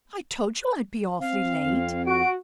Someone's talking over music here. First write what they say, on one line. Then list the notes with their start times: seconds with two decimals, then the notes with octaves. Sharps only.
"I told you I'd be awfully late."
1.20 C4 F5
1.60 F2
2.06 F#4 D7